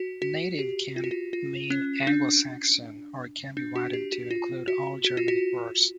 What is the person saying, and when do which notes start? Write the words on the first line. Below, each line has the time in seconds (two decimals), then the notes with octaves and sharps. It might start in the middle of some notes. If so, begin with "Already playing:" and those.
"Native" can mean "Anglo-Saxon" or it can be widened to include all Germanic words.
Already playing: F#4
0.22 F#4
0.59 G4
0.96 F4
1.04 F#4
1.11 F4
1.33 F4
1.70 C#4
2.07 D4
3.57 D4
3.76 F#4
3.93 G4
4.12 F#4
4.31 F4
4.68 F#4
5.04 F#4
5.17 F4
5.28 F#4